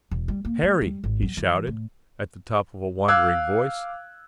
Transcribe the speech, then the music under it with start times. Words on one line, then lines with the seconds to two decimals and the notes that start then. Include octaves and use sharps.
"Harry!" he shouted, at the top of a wondering voice.
0.11 E1
0.28 G3
0.45 A#3
0.63 A3
0.82 G3
1.04 G#1
1.22 F#3
1.37 E3
1.67 A2
3.08 F5 D6 E6 F#6 G#6